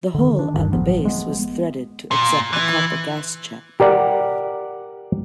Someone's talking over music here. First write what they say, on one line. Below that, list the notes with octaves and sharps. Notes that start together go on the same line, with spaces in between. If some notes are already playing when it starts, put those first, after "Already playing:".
The hole at the base was threaded to accept a copper gas check.
D3 D#3
D4
D#1 G2 D#3
A1 F3 F#3 B3
G#3 A#3 B3
A#2
E3
G4 A#4 D5 F#5